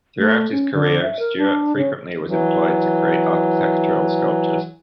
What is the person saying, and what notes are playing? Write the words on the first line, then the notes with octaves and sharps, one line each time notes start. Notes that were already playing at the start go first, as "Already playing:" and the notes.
Throughout his career Stewart frequently was employed to create architectural sculptures.
A3
C#4
D3
E5
A#4
D4
C#3
E3 F#3